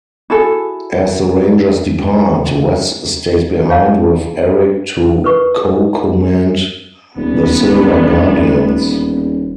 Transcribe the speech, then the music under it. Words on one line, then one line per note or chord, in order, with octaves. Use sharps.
As the Rangers depart, Wes stays behind with Eric to co-command the Silver Guardians.
E4 F#4 G#4 A4
C#5 F5 F#5 A5
A#4 B4 C#6
D#1 D2 B3